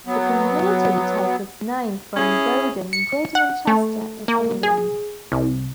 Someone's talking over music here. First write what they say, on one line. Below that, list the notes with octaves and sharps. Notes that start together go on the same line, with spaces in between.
The community takes its name from Bowdon, Greater Manchester, in England.
F#3 B3
C#4 E4 G#4
C#7
F#5
A3
A#3
G#4
C2